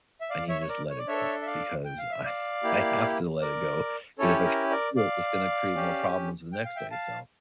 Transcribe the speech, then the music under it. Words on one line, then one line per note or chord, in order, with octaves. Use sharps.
I need to just let it go. Because I I have to let it go. 'Cause if I try to do it, it's gonna create more problems the next day, so
E5
D5 F5
C#5 E5
C#5
A#4 D5
C#5
D5
D4 A4 C#5 E5
E5
D5 F5
G5
F5
E5
D5 F5
A#3 E4 G4
A#4 D5
C#4 E4 G4 A4 C#5
A#4
A#4 D5
D5 F5
C#4 G4
G5
F5
E5 G5
F5 A5